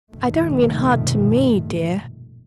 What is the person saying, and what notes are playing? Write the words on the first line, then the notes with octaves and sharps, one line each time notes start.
I don't mean hard to me, dear.
F1 A#1 G2 B2 D#3 A3